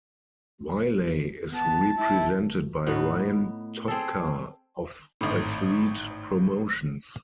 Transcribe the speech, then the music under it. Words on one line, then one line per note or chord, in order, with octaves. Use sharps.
Wiley is represented by Ryan Totka of Athlete Promotions.
B3 A5
E4 A5
A2 B3 D#4
C4 G#4 A4
G#1 A2